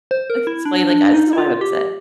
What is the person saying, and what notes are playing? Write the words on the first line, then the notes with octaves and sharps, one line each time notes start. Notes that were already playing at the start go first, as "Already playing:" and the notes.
like, explain, like, "Ah, this is why I'm upset."
C5
A#4
E4
D4
D4
D#4
E4
F4
G4